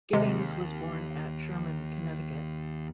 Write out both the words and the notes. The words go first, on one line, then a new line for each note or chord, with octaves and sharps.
Giddings was born at Sherman, Connecticut.
D#2 C3 G#3